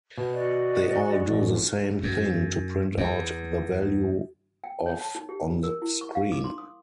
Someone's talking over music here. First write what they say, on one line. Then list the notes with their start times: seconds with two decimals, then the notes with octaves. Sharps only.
They all do the same thing-to print out the value of on screen.
0.18 B2
0.33 F#4 D5 D#5
1.29 A1
2.03 F#2
2.98 E2
4.64 G5
4.86 C#5
5.01 A5
5.15 D#4
5.29 G4
5.63 A#4
5.82 E4
6.01 C#6
6.15 F5
6.32 D6
6.44 C6
6.58 D#6